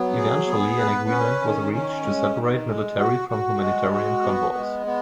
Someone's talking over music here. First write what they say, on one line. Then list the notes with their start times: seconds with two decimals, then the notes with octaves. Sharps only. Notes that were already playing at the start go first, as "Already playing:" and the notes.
Eventually an agreement was reached to separate military from humanitarian convoys.
Already playing: F#3 B3
0.15 G#4
0.47 B3
0.79 B4
1.09 C#4
1.42 D#3
1.73 C#4
2.04 G#3
2.36 D#3
2.67 G#3
2.98 F#4
3.29 F#4
3.61 G#3
3.92 F#4
4.23 B3
4.55 G#3
4.86 B3